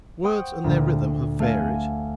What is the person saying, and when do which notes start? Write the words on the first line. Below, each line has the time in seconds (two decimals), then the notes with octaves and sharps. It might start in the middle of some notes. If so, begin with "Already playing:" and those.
Words and their rhythm have varied.
0.24 C5 F#5 G5 C#6 D#6
0.64 D2 A#2 D3
1.40 A3 F5 F#5 G#5